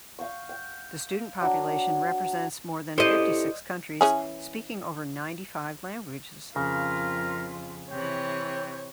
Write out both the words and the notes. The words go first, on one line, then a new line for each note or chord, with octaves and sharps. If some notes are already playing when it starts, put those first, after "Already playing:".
The student population represents more than fifty-six countries speaking over ninety-five languages.
F5 G5 C#6
G5
F#3 D4
E4 G4 A4 C5 D#5
E3 C#4 G#4
F2 C#3 F4 A#4
C3 E3 C#5 G5